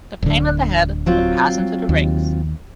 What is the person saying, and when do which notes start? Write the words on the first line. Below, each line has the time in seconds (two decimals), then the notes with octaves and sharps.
The pain in the head would pass into the rings.
0.22 D1 D3
1.06 F#3 C4 F4
1.89 D#2